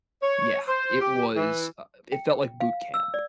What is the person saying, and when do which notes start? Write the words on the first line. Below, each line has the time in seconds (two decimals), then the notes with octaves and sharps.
Yeah. It was, uh It felt like boot camp.
0.22 C#5
0.68 C5
1.01 G4
1.36 E3
2.12 G5
2.60 F5
2.94 E6
3.14 D5